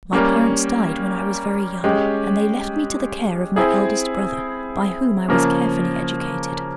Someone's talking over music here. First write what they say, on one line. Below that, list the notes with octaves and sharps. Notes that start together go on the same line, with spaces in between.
My parents died when I was very young, and they left me to the care of my eldest brother, by whom I was carefully educated.
G3 A#3 C#4
G#3 C#4 G4
C4 E4 G#4
C#3 F3 A#3 C#4